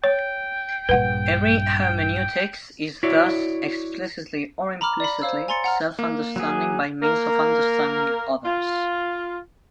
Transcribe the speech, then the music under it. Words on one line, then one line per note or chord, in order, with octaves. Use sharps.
Every hermeneutics is thus, explicitly or implicitly, self-understanding by means of understanding others.
C#5 G5
A#1 G2 B4 F#5
E4 F#4 C#5 D5
A#5 B5 D6 F6
D5 B5
C5 C#5 F5 E6
G#5 A#5 C6 A6 C#7
F#5 A#5 F6
A#3
F#3 G#4
A#3 A#4
F4